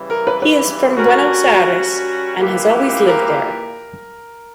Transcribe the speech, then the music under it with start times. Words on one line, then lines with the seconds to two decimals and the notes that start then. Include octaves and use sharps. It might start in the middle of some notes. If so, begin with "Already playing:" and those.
He is from Buenos Aires and has always lived there.
Already playing: C#3 E3 G3
0.10 A#4
0.27 B4
0.42 B4
0.97 G3 C#4 F#4 A#4
2.38 A#2 A#3 E4 G4 B4
3.08 A#4